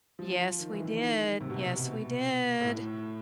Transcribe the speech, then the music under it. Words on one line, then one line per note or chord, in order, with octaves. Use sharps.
Yes, we did. Yes, we did.
F3
D#3
E3
D#3
C3
B2
C3
B2
A2